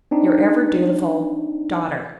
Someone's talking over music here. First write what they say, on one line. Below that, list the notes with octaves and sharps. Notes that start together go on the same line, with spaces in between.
Your ever dutiful DAUGHTER.
C4 D4 D#4